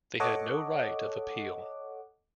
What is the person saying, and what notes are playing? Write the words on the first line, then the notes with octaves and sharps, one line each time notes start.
They had no right of appeal.
A4 C#5 D#5 F#5 D6